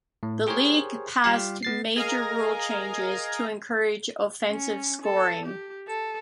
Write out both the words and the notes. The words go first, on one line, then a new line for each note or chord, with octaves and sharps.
The league passed major rule changes to encourage offensive scoring.
A2
G4 G#4 A#4 C5 C#5
G3 F4 G4 F5
B3 A6 C7
G#4 A#4 D#5 F5 G#5 A#5
C#4
A4
G4
A4